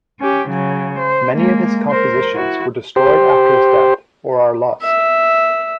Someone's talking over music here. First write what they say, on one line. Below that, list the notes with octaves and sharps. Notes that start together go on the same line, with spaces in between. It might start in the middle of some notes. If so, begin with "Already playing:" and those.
Many of his compositions were destroyed after his death, or are lost.
C#4 G4
C#3 F#3
C5
G#3 A#3
A#4 C5
E4 F#4
G4 C5
E5